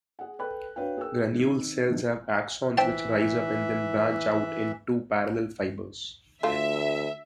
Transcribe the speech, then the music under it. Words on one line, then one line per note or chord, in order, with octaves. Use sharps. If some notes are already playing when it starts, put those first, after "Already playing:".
Granule cells have axons which rise up and then branch out into parallel fibers.
G#4 F#5
A4 B4 G5 B5 F#6
D4 F#4 B4 C#5 F5 G5
G#4 A#4 G5 E6
D#3 C4
G1 B2 D3 D#3 F3
E3 C4 E5 G5 A5
D2 A3 F4 E5